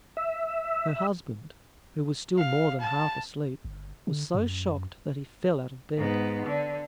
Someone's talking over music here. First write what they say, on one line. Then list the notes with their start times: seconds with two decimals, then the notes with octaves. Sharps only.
Her husband, who was still more than half asleep, was so shocked that he fell out of bed.
0.17 E5
2.37 F5
2.80 A5
3.65 G1
4.07 D3
4.34 F#2
5.97 G#2 B3
6.47 D3